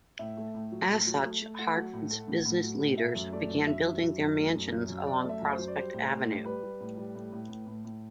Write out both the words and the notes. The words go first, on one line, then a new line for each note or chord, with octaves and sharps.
As such Hartford's business leaders began building their mansions along Prospect Avenue.
A2 E5
A3
A2
F#3
A2
F#3
A3
A3
A3 F#5
F#3
A2
A3
A2
A2
F#3
A2
A3 E5
F#2
A3 D5
F#2
F#2 E5
F#3
F#2
F#2
A3
F#2
F#2
F#2
F#2 D5
A3
E5
F#2
C5
F#3
D5
G3 C5
A2
A2
G3
G3 B4
G3
A2
G3
A2
A2
A2
A2
A2